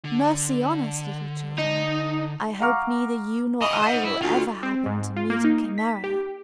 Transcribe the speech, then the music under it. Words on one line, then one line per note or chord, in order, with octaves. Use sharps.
Mercy on us, little children, I hope neither you nor I will ever happen to meet a Chimaera!
D3
D#4
F5 F#5 A#5 C#6 D6 F6
D#5 G#5 B5
C5 F#5
E4
D2 F4
C4
G#2
F4
A#3
D#4
B6
G4